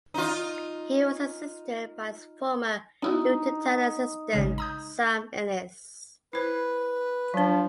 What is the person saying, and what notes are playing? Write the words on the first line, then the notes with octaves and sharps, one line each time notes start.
He was assisted by his former Luton Town assistant Sam Ellis.
D#4 F4
B3 D#4 E4 F#4
A1 C#3 G#3
A#5 D#6 G6
E4 B4 C5
F3 F#3 D4